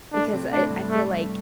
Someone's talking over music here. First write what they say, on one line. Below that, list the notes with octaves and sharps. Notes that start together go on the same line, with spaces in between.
because, uh, eh, I feel, like,
A2 A3 D4
C3 C4
A2 A3 D4
G2
A2 A3